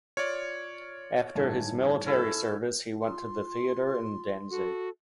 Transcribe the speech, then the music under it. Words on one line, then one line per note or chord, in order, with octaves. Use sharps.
After his military service he went to the theatre in Danzig.
F4 C#5 D5
G1 A2 D#3 E5 G#5 A5
C#4 E4 A4 C#5
F4 C6
F#4 A4